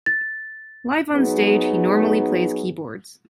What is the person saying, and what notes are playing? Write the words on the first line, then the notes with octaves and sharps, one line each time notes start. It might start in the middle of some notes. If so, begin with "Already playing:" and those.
Live on stage, he normally plays keyboards.
A6
F#3 B3 D#4 G#4